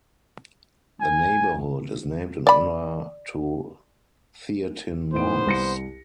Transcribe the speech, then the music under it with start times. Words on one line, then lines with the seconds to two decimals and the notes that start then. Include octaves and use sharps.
The neighborhood is named in honor to Theatin monks.
1.01 G#5
2.47 D5 B5
5.13 A2 B3 D#4 C5 D7
5.47 C2 A#6 C#7